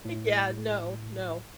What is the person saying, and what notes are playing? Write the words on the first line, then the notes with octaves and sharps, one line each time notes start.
Yeah, no, no.
A2